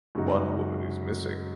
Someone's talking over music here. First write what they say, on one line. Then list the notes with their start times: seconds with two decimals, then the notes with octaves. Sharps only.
One woman is missing.
0.15 F#2 C#3 G#3 D#4 F#4